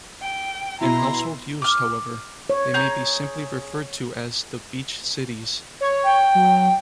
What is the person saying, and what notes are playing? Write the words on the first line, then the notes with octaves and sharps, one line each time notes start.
In household use, however, they may be simply referred to as the beach cities.
G5
B2 E4 A#5 C6
D6 F6
C#5
G#4 A#5 G6
C#5
G5
F#3